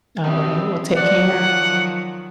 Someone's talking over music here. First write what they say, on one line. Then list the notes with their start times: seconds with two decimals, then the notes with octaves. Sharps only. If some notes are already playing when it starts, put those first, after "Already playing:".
Alright. Well, take care.
0.24 F#2 B2 C4 G4
0.96 D#3 F3 F#3 D5 F#5